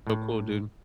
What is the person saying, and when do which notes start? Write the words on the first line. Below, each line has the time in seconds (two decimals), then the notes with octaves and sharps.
Oh, cool, dude.
0.07 A2